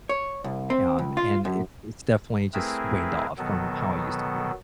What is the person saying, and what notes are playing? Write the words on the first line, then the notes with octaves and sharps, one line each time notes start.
Um, and it's it's definitely just waned off from how I used to be.
C#5
C2
C4
C#2
F4
F#2
A3 C4 E4 G#4 A#4 B4
B2 D#3 F#3 B3 A4